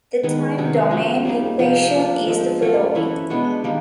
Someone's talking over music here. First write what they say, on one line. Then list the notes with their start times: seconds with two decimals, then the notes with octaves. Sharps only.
The time-domain equation is the following.
0.23 D#3 G#3 B3
0.58 C3 D#3 F#3
0.91 F3 G#3 C#4 F#4
1.25 G3 A#3 D#4 G#4
1.59 C3 F3 A#3
1.94 A#3 D4 F4
2.27 F3 G#3 C4
2.62 F#3 A3 C#4 F4
2.95 E3 A3 C#4 E4
3.30 B2 G#3 B3 D4
3.64 D#3 G3 A#3